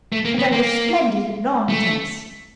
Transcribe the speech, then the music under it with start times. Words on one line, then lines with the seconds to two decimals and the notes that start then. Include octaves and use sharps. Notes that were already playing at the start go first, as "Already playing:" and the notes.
"And I was splendid at lawn tennis."
0.12 A3
0.25 A#3
0.39 B3
0.52 A#3
1.69 A3